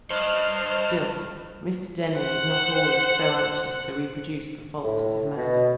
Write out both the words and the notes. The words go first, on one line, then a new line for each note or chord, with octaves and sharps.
Still, Mr. Denning is not always so anxious to reproduce the faults of his master.
G2 C5 D#5 F6
C5 F#5
A2
B2